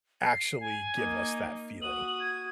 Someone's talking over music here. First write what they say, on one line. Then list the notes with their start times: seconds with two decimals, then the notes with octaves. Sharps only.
actually give us that feeling.
0.22 C7
0.60 G#5
0.96 A#3 D#4
1.82 F#4 D#6 F#7
2.20 G#6